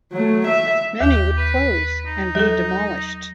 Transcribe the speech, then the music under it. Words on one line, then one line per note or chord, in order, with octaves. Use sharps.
Many would close and be demolished.
F#3 A3
E5
D#2 G4
B4
D#4
F#3 A4